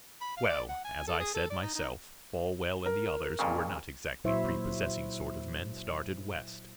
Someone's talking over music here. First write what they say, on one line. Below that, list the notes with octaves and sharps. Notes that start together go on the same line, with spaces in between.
Well, as I said, myself, Folwell and the others, who were not exactly prepossessing sort of men, started west.
B5
F5
D5
F#5
G#5
A4
G#4
A4
D5
D#4
D#4
A#4
F2 A#2 C#3
A#2 F#3 E4 C5 C#5 E5